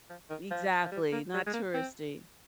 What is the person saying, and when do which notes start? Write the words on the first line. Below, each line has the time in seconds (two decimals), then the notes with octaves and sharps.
Exactly, not touristy.
0.10 F3
0.30 D#3
0.51 F3
0.84 F3
0.92 G3
1.12 A#3
1.34 G3
1.46 G#3
1.53 A#3
1.74 C4